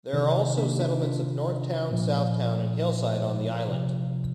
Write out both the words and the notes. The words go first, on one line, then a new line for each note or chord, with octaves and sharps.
There are also settlements of Northtown, Southtown and Hillside on the island.
C3 D#3
A#3 D4
G4
D4 F4
D4 F4
A#2 F3
C3 F3